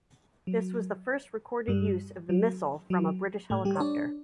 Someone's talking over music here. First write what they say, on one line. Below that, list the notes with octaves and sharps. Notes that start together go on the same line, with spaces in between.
This was the first recorded use of the missile from a British helicopter.
F#3
G2 G3
F#3
F#3
A2 A3
G3 G4
C#5
D4 D5